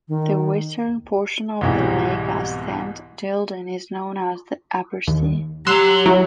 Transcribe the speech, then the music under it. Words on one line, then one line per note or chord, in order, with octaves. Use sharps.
The western portion of the lake at Saint Gilgen is known as the "Abersee".
D#3
C2 G#2 B2 E3 G3
D#2
F#3 G4 A#5 C6 E6 F#6
F#3 E4